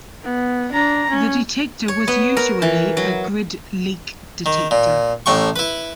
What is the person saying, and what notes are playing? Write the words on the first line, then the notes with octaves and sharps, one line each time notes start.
The detector was usually a grid-leak detector.
B3
D4 A#5
C#4
C#5
B3
A#4
E3
F#3
D#3
A#2
A1 A2 G5 C#6
E4 B4